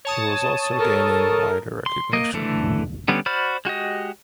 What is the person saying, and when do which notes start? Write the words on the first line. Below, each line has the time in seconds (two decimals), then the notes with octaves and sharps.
He was also gaining wider recognition.
0.05 C#5 A5 D#6
0.79 A4 A#4
1.86 C6
2.13 A#3 D#5
2.34 D3 E3 A3
3.08 D3 G3 B3 C#4
3.26 F#4 C5 D5 B5 F6
3.65 G#3 F#4 G4 D#5